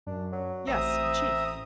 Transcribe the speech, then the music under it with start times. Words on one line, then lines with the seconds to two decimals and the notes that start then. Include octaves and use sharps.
"Yes, a chief."
0.06 F#2 D4
0.32 F#3
0.67 A1 C4 E5 A#5 D#6